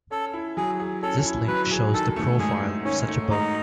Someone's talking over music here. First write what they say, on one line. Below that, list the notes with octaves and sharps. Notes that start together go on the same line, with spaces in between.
This link shows the profile of such a boat.
C#4 A4
E4
F#3 G#4
G#4
C#4 A4
E4
F#3 B4
G#4
D#3 A4
A3
G#2 G#4
G#2
D#3 C#4
A3
G#2 D#4